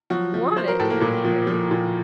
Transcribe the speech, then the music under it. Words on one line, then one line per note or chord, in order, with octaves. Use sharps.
"Want it?" angrily.
F3 F#3 F#4
F3
F3 C5
A#4
A2 A4
A#3 A#4
A#2
F3
F3
A#2